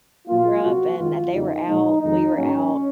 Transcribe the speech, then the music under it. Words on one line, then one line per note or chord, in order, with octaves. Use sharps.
grew up and they were out we were out
A#2 F#3 A#3 F4
C3 F#3 A#3 F#4
F#2 D#3 G#3 F4
F2 C#3 F3 A#3 D#4
A#2 F3 G#3 D#4
F2 D#3 G#3 D#4
G#2 F#3 A#3 C#4